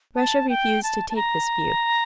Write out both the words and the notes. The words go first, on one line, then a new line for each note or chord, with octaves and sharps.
Russia refused to take this view.
A5
G5
A5
A5
A#5